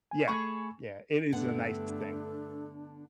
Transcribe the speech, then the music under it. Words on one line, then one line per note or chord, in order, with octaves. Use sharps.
Yeah. Yeah, it is a nice thing.
G#5
A3 G#4 A4 B5 C#6
G2 D3 A3 B3 D4 A4 F#5